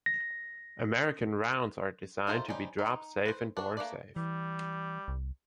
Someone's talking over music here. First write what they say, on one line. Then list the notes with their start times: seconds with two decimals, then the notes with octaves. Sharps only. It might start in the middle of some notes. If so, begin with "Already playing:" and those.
American rounds are designed to be drop-safe and bore-safe.
0.06 A#6
2.27 A3 D#4 F4 A4 C5
2.48 G3 C#4 D#4 C5
2.79 D#4
3.26 B4 C5
3.57 D4 F#4
3.77 A3 A#3 D#4 B4 D5
4.16 E3 G3
5.08 C2